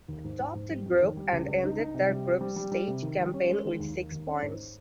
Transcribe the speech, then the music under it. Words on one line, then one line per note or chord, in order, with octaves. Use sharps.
They topped the group and ended their group stage campaign with six points.
D#2
G#2
G#2
G#2
G3
F2
D#3
G3
C#2
C#2
D#4
D#4
C3
G3
C4
G3
G3
G3
C3
D#3
G3
C#4
G#3
D#3
D#2
D#3
D#2
C#4
G#2